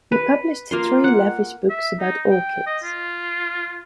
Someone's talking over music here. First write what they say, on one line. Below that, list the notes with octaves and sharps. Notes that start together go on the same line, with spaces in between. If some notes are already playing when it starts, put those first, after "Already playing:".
He published three lavish books about orchids.
B4
A#3 F4 C6
F#5
E5
D#4
G5
D#5
F4